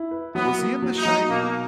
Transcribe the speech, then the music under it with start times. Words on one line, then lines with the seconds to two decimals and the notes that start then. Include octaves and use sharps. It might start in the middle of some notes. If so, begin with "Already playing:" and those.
Was he in The Shining?
Already playing: E4
0.11 B4
0.35 F#3 B3
0.59 A#3
0.82 F#3
0.98 D#4
1.05 F#3
1.29 B2 A#3